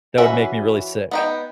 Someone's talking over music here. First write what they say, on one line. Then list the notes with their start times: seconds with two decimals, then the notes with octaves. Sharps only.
that would make me really sick.
0.18 E3 C#4 F#4 E5
1.11 B3 D#4 G5